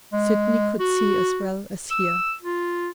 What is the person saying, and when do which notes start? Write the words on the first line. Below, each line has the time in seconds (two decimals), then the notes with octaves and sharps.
Sydney could see as well as hear.
0.13 G#3
0.80 F#4
1.91 E6
2.42 F4